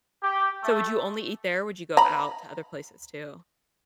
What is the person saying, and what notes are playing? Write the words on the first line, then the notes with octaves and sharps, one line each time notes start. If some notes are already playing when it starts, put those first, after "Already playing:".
So, would you only eat there or would you go out to other places too?
G4
A3
A#5 B5